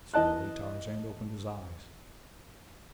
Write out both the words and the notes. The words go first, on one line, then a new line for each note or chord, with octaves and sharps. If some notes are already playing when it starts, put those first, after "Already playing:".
Slowly Tarzan opened his eyes.
E3 D#5 A5 F#6